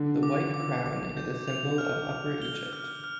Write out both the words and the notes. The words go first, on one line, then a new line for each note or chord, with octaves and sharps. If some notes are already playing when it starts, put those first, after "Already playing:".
The white crown is a symbol of Upper Egypt.
Already playing: D3
D6
D6
D6
G6
F7
F6
F6
G7
F6
F6